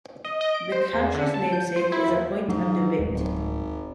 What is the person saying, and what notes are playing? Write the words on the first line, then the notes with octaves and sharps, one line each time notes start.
The county's namesake is a point of debate.
D#5
D#5
D7
C5
E2
D3
A5
G6
C5
E4
D#2
G#2 F#3 D4
D1 F#3 G#3
G#1